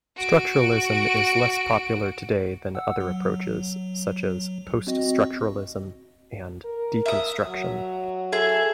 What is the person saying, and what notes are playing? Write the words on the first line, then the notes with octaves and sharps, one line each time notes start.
Structuralism is less popular today than other approaches, such as post-structuralism and deconstruction.
F#4 D7
F#5 E6
F#3
C4 F#4 D#5
A#4
E5 D#6
F#3
G#4 A4 E5 G#6